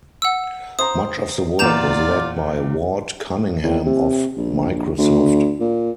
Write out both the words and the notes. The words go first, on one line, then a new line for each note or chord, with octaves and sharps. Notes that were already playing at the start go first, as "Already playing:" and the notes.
Much of the work was led by Ward Cunningham, of Microsoft.
F#5 E6
C5 A#5 D#6
E2 A#2 F4 D5 A#5 G6 E7
E2
C3
A#1
D2
A#2